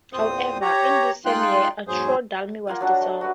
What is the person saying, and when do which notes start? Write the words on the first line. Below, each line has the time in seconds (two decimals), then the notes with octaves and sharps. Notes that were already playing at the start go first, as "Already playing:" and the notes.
However, in this same year, Austro-Daimler was dissolved.
0.13 E2 A#2 C4 C5 D#6
0.61 G4 C#5 A#5
1.25 G#3 D#4 F4 G5 C6 F#6
1.88 E2 G#2 F#3 G#4 C5
2.67 A#3 F4 F#5 G#5
2.81 F#3 D4 F#5 A5
3.01 A3
3.21 F#4 G4 B4